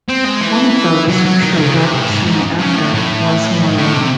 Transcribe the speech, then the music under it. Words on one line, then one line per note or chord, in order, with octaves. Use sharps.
One of those, who showed up soon after, was Morlun.
C4
G#3
E3
F#3
F#3
D#3
C#3
C3
A2
G#2
G#2
C#3
A2
A2
G#2
A2
C3